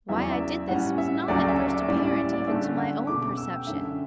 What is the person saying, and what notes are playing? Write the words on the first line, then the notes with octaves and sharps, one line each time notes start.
Why I did this was not at first apparent even to my own perception.
E2 C#3 F#3 E5
D5
E5
A2 G3 C#4 F#5
E5
D2 C#3 F#3 A3 C#4 D5
E5
D5
A2 G3 C#4 D5
D5
E5
D5
G2 D3 A3 C#4 E5
F#5
B2 A3 C#4 D6
D6
E6
G5
F#2 D3 A3 C#4 E5